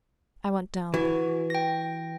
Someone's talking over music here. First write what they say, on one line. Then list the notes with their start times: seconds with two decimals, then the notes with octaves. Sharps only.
I went down.
0.94 E3 F#4
1.50 G5 A#6